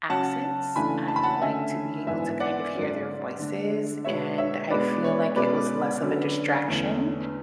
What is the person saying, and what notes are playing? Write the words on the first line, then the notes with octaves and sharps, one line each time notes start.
accents, I like to be able to kind of hear their voices, and I feel like it was less of a distraction
C#3 F#3 C#4 F#5 A5
C#3 E3 A3 D4 G#5 B5
A5
B5
F#5 A5
D3 A3 C#4 E5 G#5
G#2 E3 B3 D4 E5 G#5
D5 F#5
G#2 F#3 C#4
D3 A3 D4
B2 G#3 B3 D4 C#5 E5
C#5 E5
B2 G#3 B3 D4 B4 D5
C#5
B2 G#3 C#4 B4 D5
D3 F#3 C#4
E2 D3 A3 C#4